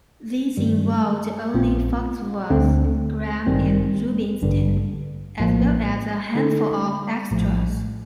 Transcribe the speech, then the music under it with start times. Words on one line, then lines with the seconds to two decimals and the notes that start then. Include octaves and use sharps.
These involved only Foxworth, Graham and Rubinstein as well as a handful of extras.
0.57 G2 D#3 G3
1.54 A#1 A#2 A3 C4 F4
2.50 D2 D3 A3 C4
3.47 A1 G2 D#3 G3 C4
4.42 A1 G2 D3
5.39 A#1 A2 F3 A#3
6.35 D3 A3 D#4 A4
7.31 A#1 A2 F3 A3